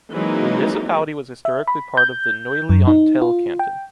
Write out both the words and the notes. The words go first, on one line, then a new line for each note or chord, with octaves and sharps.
The municipality was historically part of the Neuilly-en-Thelle canton.
E3 F#3 G#3 A#3 C4 D#4
E5
B5
G6
F#2
D#4
F4
G5